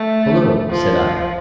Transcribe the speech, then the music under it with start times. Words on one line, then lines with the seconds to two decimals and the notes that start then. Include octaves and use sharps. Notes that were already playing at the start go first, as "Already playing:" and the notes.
"Hullo," said I.
Already playing: A3
0.70 F3